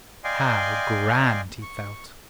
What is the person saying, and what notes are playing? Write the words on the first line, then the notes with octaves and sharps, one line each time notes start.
How grand he felt!
D5 D#5 F5 G5 G#5 C6
C#6